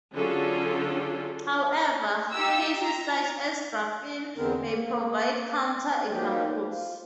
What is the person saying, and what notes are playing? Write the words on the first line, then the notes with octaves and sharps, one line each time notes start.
However, cases such as graphene may provide counter-examples.
D3 F#3 C#4 F4 G#4 A4
D#4 F4 G4 E6
A#5
E2 D3 G#3 B3 C4 A#4
A#3
F3 F#3 A#3 D4 D#4 G4
F3